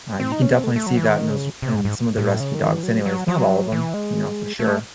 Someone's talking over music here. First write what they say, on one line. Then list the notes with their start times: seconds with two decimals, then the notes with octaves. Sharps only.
ah, you can definitely see that in those in some of the rescue dogs anyways, not all of 'em, you know, for sure.
0.20 C4
0.32 D#4
0.42 C#4
0.53 C4
0.64 A3
0.76 A3
0.87 F#3
0.97 E3
1.08 D#3
1.30 C#3
1.62 C3
1.74 G#2
1.85 G#2
2.18 A2
2.40 C#3
2.55 D#3
2.69 E3
2.83 F#3
3.06 F#3
3.28 F#3
3.72 E3
3.94 G#3
4.59 A3